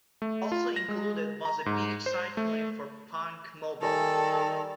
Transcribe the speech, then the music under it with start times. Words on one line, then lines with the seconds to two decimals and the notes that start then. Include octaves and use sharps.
Also included was a beach-side clip for Punkmobile.
0.22 A3
0.52 F4
0.76 A#6
0.89 G#3
1.45 A#5
1.66 G#2
2.06 C5
2.37 A3
3.82 D#3 G3 A4 G#5